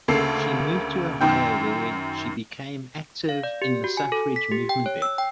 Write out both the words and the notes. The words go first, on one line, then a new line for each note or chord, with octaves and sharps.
She moved to Ohio where she became active in the suffrage movement there.
D2 C#3 A#3 A4 C7
F#2 D#3 G5
F5
D5
G4
F#4
G#5
A4
B6
G4
G5
C#5
E6
G5